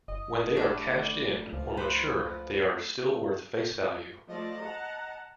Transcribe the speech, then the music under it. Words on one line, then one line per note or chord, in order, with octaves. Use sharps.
When they are cashed in or mature they are still worth face value.
F#1 D#5
G3 A3 D4 B4
D5
C#2 F3
B4 C5
F3 A3 D5 D#5
F#5 A5 A#5